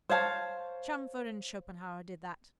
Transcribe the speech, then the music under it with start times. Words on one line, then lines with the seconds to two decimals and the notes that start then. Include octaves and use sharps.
Chamfort and Schopenhauer did that.
0.09 C5 C#5 F5 A5